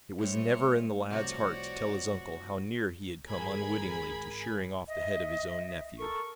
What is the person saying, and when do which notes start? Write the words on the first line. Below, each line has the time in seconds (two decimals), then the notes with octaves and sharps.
It was never in the lad's heart to tell his uncle how near he had come unwittingly to shearing off the head of his own nephew.
0.19 A2 G3 C4 C#5
1.10 C3 F3 F#4 C#5 D5
3.28 G#1 G#4 A#4 G#5 B5 G#6
4.88 D#5 E5
5.98 A4 A#4 C#6